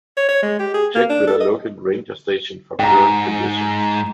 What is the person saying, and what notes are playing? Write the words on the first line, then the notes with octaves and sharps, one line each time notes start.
Check with a local ranger station for current conditions.
C#5
C#5
G#3
G4
G#4
A#3
D4
A4
D#5
G#2 G5 A#5